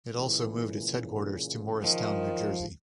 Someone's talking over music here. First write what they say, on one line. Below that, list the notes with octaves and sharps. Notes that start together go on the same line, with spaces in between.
It also moved its headquarters to Morristown, New Jersey.
A#2 C#3 E3
D#3 F3